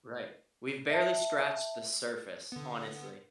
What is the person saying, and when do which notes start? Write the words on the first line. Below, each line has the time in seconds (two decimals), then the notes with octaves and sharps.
Right, we've barely scratched the surface, honestly.
0.90 E5 A5
2.52 D3 B3